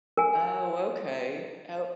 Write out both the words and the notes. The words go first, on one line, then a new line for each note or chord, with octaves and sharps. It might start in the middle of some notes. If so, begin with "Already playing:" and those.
Oh, okay. Oh,
A#4 G#5